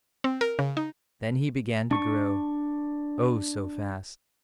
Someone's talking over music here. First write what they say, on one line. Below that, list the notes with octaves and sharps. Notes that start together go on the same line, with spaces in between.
Then he began to grow, oh! so fast.
C4
A#4
C#3
D#4
D4 C#6